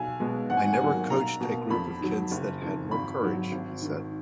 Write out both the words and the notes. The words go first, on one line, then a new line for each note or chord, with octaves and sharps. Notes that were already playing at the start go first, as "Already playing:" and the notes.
"I never coached a group of kids that had more courage," he said.
Already playing: B1 G#5
B2 G#3 B3
G#1 F#5
G#5
F#5
G#5
G#2 F#3 A#3 F#5
B1 A#5
B2 A#3
F2 B5
D#3 F#3
F#1
F2 D#3
G#1 B5
G#2 F#3
G#1
G#2 D#3